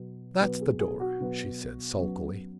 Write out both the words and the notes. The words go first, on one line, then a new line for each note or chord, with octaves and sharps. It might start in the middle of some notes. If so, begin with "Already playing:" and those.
"That's the door," she said sulkily.
Already playing: B2 F#3 B3
B2 F#3 B3 B4
G#4
G#4
F#4
B2 F#3 B3
F#2 F#3 B3